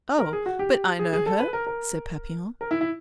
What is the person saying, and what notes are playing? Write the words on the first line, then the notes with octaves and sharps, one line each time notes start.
"Oh, but I know her!" said Papillon.
A#4
G#4
F#4
G4
G#4
G#4
A4
B4
A#4
A#4
A#4
E4
E4